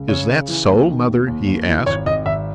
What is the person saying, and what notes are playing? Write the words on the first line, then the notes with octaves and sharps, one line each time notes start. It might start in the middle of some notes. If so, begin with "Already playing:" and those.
"Is that so, mother?" he asked.
Already playing: C#2
C#3 C#5
C#3
E3
D#2
D#3
D#2
D#2
D#2
E3
G#1 C#5
G#1 D#5
G#1 E5